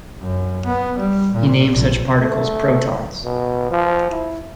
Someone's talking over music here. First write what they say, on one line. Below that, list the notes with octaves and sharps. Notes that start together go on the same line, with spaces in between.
He named such particles protons.
F#2
B3
G3
A#2
A#1
A3
B2
F3
E4